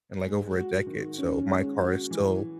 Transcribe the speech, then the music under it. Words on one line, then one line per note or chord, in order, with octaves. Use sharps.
in, like, over a decade, so my car is still
G#3
F#4
D#3
C#4
G#3
F#4
E3